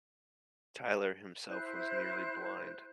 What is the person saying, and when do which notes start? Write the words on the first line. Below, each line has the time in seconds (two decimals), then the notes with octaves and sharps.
Tylor himself was nearly blind.
1.48 E4 C5 F#6